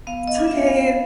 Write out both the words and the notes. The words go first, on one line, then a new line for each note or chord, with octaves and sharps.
It's okay.
B3 F5
D#5
D4 F4
E5
B3 F5